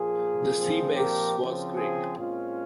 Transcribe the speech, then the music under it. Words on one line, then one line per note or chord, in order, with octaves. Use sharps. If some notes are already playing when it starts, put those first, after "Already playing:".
That seabass was great.
Already playing: A#2 F3 A#3 F4 G#4
A#2 F3 C4
G4 A#4
C#3 F3 C4
F4 G#4
A#2 G#3 C4 C#4 F4